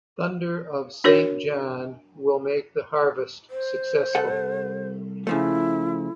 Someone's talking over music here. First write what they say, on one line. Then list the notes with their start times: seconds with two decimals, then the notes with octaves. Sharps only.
Thunder of Saint John, will make the harvest successful.
1.04 D4 F#4 A#4 C#5
3.50 C5
4.15 C2 A4 F#5
5.27 C#3 F3 A3 E4